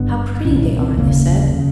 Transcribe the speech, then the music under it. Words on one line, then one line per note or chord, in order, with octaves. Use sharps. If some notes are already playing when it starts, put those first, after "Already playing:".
"How pretty they are!" they said.
Already playing: G1 G2 D3 B3
C2 A#2 C#4
C4
F1 D#2 C#3 A#3
C#3